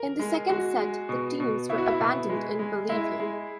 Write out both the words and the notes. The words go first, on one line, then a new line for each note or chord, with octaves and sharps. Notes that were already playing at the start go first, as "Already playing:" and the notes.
In the second set, the teams were abandoned in Bolivia.
Already playing: A#4
G#3
G#3 F#4
G#3
B2
B2
B2 E4
F#4
E4
B2
G#3
G#3
G#3 E4
G#3